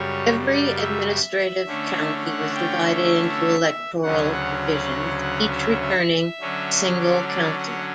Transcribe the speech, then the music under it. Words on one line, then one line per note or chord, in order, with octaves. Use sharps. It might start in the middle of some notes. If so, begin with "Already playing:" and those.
Every administrative county was divided into electoral divisions, each returning a single councillor.
Already playing: F#2 C#3 G3 C#5
D5
E5
E5
D3 A3 C#4
F#5
G5
E5
D2 C#3 F#3 C#4 F#5
F#5
F#5
E5
E5
D3 F#3 C#4
D5
D5
F#5